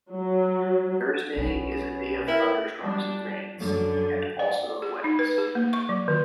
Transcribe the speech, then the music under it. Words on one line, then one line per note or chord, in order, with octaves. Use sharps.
Thursday is a day of thunder-storms and rains, and also of weddings.
F#3
B1 F#3 B3 C#4
E4 A#4 B4 E5 G5
G3 D4
F#2 D3
D5
G#4
D#4
B4
G#4
A#3
C#6
F#3
D#3